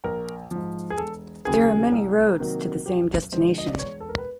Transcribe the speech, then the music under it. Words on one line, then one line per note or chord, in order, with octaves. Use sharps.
There are many roads to the same destination.
A#1 A#4
G#2 F3
G#4
E1 A4
D#2 C#3 F#3 A#3 G#4
C2
C3 D#3 F#3 A#3
F#2 G4
D3 F3 G#3 C5
D#5
D5
E1 C#5
A4
A#4
B4